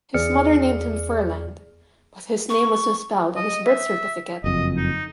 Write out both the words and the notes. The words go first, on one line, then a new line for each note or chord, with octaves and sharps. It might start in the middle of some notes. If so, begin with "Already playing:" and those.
His mother named him Furland, but his name was misspelled on his birth certificate.
E2 G#4 D5 F6 C#7
C#6
D#5
E5
F#1 F2 D#5
D#4